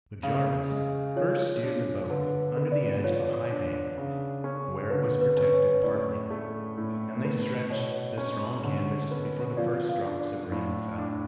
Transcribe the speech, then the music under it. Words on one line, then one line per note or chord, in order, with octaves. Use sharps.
But Jarvis first steered the boat under the edge of a high bank, where it was protected partly, and they stretched the strong canvas before the first drops of rain fell.
C#3 F5
G#3
F3 C#5
D4
D3 B4
B3
D5
F3 C#5
D4
C#3
C#4
D3 B4
B4
C#4
B4
C#5
A2 D5
A3
A2
B3
B2 C#5
C#4
D3
B3
F3 D5
F5
D4
D5
A2
D4